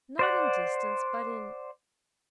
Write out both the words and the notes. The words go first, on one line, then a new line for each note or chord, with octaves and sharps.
'Not in distance, but in--.
C5 D5 F#5